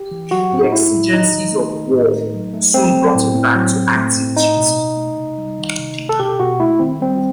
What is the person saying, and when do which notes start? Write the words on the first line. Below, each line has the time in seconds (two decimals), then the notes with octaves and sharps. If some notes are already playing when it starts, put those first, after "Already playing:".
The exigencies of war soon brought him back to active duty.
Already playing: G4
0.11 E3
0.31 F#3 F#4
0.52 A2 C4
0.63 D#4
0.72 A3 E4
0.92 A2
1.12 D#3 D#4
1.32 D#3
1.53 A3
1.73 D#3
1.93 A2
2.14 A3
2.34 F#3
2.54 A3
2.74 A3 C4
2.95 F#3
3.15 A2
3.35 A2
3.55 F#3
3.75 A2
3.96 A3
4.16 A2
4.36 A3 D#4
4.57 B2
4.77 B2
4.97 A3
5.17 C3
5.38 G3
5.59 D#3
5.78 C3
5.98 A3
6.09 A4
6.19 B2 G4
6.40 B2 F#4
6.60 A3 E4
6.79 D#3 C4
7.01 G3 C4